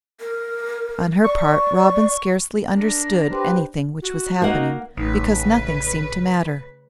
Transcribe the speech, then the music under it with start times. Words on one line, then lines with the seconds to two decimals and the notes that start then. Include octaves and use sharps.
On her part Robin scarcely understood anything which was happening because nothing seemed to matter.
0.20 A#4
1.24 D5 C#6
2.67 D4 A#4
3.32 G4 B4 C5
4.02 F#4
4.42 A#3 D#4 F#5
4.97 A1 C#3 A3 D#4 B4